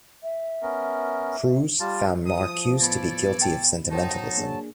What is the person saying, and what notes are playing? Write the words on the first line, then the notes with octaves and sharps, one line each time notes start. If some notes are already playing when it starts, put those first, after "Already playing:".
Crews found Marcuse to be guilty of sentimentalism.
E5
B3 C#4 A#4
G3 F4 A5
F3 D#6
A2 B3 A4 C#5 D5 B5
G5 A5
F#3 D#4 F#4 C5 G5 A5
A#3 D4 G#4